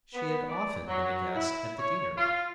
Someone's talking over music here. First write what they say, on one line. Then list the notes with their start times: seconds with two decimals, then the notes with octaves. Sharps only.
She had often been a guest at the deanery.
0.14 B3
0.49 D5
0.87 F#3
1.35 E4
1.78 C#5
2.17 F4